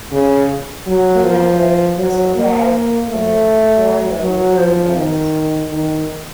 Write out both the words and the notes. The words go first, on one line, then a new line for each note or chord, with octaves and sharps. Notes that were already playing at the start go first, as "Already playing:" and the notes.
The method was applied in four known programs.
C#3
F#3
F3
F#3
A#3
A3
F#3
F3
D#3
D#3